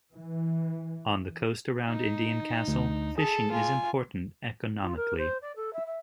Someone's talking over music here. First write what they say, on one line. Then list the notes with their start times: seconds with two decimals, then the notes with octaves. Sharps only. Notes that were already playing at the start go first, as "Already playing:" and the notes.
On the coast around Indian Castle, fishing is important economically.
0.14 E3
1.86 D#4
2.68 D2
3.18 G#4 A4
3.51 F4 G#5
4.82 F4
4.96 A#4
5.17 C5
5.41 D5
5.56 A4
5.73 E5
5.86 E5